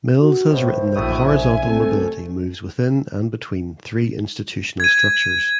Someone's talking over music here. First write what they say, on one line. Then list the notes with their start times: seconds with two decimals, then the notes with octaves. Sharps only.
Mills has written that horizontal mobility moves within and between three institutional structures.
0.19 F#4
0.51 C#2 A2 C5
0.96 A#1 A2 F#3 A3 E4 D#6
1.25 C2 E5 G#5
1.66 A3 C4
4.80 G#6 D#7